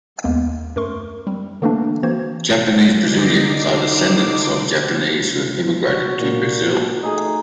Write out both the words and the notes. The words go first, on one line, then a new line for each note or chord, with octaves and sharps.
Japanese-Brazilians are descendants of Japanese who have immigrated to Brazil.
D#2 G#3 A#3 B3
F#2 A3 A#4 C6 C#6
G3 C4
D3 E3 A3 A#3 C4 D4
E3 A#3 C4 F#4 C5 G#6
D3 D#4 D6 C7
F#4
A#2
A3 D#4 G#4